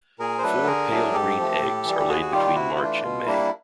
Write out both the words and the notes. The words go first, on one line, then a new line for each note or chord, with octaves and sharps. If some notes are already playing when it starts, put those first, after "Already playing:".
Four pale green eggs are laid between March and May.
A#2 G#4 A#4
C5
F#3 A3 D4 A4 B4
D3 G#4 A#4
F#3 A3 D4
G#2 G4 A4
F3 A3
A2
E3 G3
G4
D#2 F#4 G#4
F#4
D#3 G3 F4 G4
C3 E4 F#4
E3 A3 D4 F4
B2 F4
G3 A#3 D4 E4